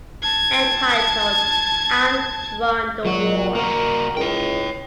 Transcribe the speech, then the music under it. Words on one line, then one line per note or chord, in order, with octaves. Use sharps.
Entitled ""I’ve Drawn the War.
A5 G#6
A#2 F#3 F#4
A#3 F#4 A#4
C#2 C#5 G5